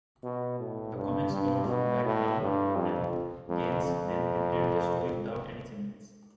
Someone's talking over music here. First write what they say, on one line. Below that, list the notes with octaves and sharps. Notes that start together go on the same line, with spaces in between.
The Comics Code backed down, and Gaines then printed the story without any changes.
B2
A2
G2
G2
B2
A2
G2
F2
F2
F2